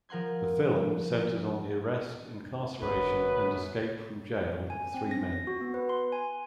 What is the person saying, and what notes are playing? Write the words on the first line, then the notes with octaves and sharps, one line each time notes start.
The film centers on the arrest, incarceration, and escape from jail of three men.
F3 A#4 F#5 C6 G#6
G1 F#2 F#3 B3 D#4 B4
G#5
C4
A#6
F#4
B3
B4
C6
G#5